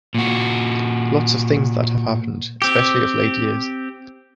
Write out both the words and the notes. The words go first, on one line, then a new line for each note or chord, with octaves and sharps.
Lots of things that have happened — especially of late years.
A#2 F#4
C4 G4